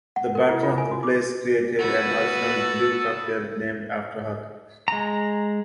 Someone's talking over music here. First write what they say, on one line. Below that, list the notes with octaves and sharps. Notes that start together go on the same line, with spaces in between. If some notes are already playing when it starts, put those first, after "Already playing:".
The bartender of the place created an original blue cocktail named after her.
F#5
A#4
E4
F4
G#5
F#4
D6
F#4 A4 B4
G#3 A#5